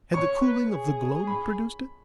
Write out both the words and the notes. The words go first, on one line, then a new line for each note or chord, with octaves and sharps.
Had the cooling of the globe produced it?
C#5 C#6
B4
G#4
B5